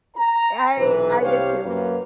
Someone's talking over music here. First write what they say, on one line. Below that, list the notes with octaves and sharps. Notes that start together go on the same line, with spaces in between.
Eh I I did too.
A#5
B1 C3 E3 B4
C2 D4 G4 C5 C#5 F5
F#2 A#3 B4